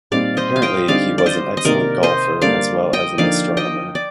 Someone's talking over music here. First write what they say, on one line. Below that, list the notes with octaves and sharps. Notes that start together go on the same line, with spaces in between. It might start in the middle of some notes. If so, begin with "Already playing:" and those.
Apparently he was an excellent golfer as well as an astronomer.
A#2 G3 C4 D#4 D5 F5
C5 D#5
F5
D#5 G5
D3 G3 C4 D#4 D5 F5
D5
C5 D#5
D#5
C3 D#3 A#3 D#4 A#4 D5
C5 D#5
D3 G3 A#3 D4 D5 F5
D#5 G5
D3 F3 A#3 D#4 D5 F5
D#5 G5
D5